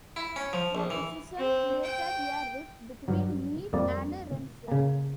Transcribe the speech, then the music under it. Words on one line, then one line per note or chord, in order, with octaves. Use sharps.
The decision created a rift between Mead and Rentschler.
E4
C#4
F3
A#1
E3
C4
G5
G2 F#3
F2 G3 A#3 D5
C#3 A#3